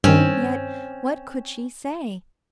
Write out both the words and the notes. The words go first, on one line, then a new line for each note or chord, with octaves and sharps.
Yet what could she say!
G2 D#3 C4 C#4